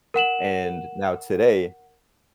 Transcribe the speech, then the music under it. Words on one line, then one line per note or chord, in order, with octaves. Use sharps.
And now today,
A#4 F#5 E7 F#7